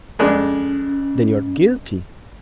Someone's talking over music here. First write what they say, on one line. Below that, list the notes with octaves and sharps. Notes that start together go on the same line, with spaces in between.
"Then you are guilty."
F2 G#3 C#4 D4